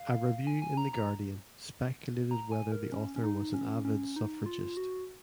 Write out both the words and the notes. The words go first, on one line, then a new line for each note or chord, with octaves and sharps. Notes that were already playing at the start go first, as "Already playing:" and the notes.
A review in "The Guardian" speculated whether the author was an avid suffragist.
Already playing: F5
G#5
G#5
A#5
A#5
A#5
G#5
A#4
C#4
C#4
D#4
C#4
C#4
D#4
F4
F#4